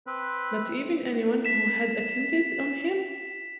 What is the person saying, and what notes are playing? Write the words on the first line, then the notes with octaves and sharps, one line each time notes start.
Not even any one who had attended on him?
C4 B4
B6 E7